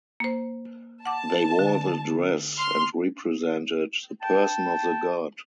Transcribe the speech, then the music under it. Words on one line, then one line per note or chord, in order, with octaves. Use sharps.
They wore the dress and represented the person of the god.
A#3 C5
F#5 A5 D6
D3
C6 F6
G5 A5